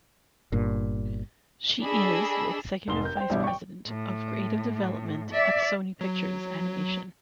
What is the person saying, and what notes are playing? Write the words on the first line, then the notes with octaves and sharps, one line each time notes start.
She is the executive vice president of creative development at Sony Pictures Animation.
G1 G2 A#2
D4 G#4 A4 D#5 B5 E6
F1 G#2 C6 G7
A#4 G6
C5 G5
A1 G2 B2 G3 E4
G5 C#6
A2
D5 E5
F#3